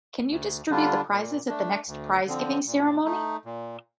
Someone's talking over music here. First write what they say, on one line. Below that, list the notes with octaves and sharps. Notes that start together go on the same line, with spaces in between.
Can you distribute the prizes at the next prize-giving ceremony?
D2
D3 G3 D4 F4
A#2
A3 D4
D2
D3 F3 C4
A#2
A3 D#4
A#2